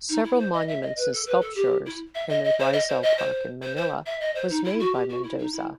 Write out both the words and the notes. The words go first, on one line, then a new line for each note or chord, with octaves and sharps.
Several monuments and sculptures in the Rizal Park in Manila was made by Mendoza.
D#4
E4
C5
D#5
E5
D#5
B4
A4
B4
A4
G4
E4
E5
D#5
D#5
C5
D#5
C5
D#5
C5
C5
C5
E5
D#5
C5
D#4
E4
F#4
G4
F#4
E4
D#4
E4